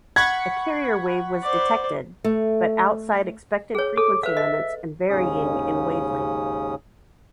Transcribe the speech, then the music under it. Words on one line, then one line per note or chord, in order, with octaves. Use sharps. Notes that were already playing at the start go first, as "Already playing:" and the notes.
A carrier wave was detected, but outside expected frequency limits and varying in wavelength.
F#5 B5 C#6 G#6
C5 D5
A3
G#4 C#5
A4 D6
B4 E5 F5
D#5
D#2 G#2 C#3 C#4 D#6